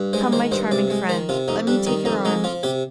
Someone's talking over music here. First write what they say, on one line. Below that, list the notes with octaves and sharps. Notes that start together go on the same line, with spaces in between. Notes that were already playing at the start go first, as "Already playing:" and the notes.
Come, my charming friend, let me take your arm.
Already playing: G2
G#3 C5
D#3 C5
G2 C5
C3 D5
G#3
D#3 C5
C3 F4
F2 D#4
G3 D4
D#3 D#4
F2 D#4
G#3 D#4
F3 F4
C3 G4